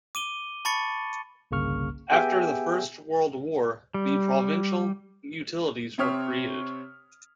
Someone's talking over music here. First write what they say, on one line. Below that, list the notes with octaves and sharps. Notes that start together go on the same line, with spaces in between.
After the First World War, the provincial utilities were created.
D6 D#7 G7
A5 B5 C#6 A6 C#7
G1 C2 C#3 A#3 C#6 F6
B3 G4 G#4 E5 G5 G#5
G3
C3 C4 C#5 D#6 F6 B6